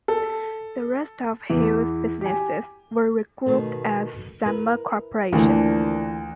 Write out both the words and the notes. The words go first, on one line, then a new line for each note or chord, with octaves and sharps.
The rest of Hughes' businesses were regrouped as Summa Corporation.
A4
E2 E3
G4 G#5
B2 D#3 A3
E4 A#4 B4
D2 D3 E3 F3 A#3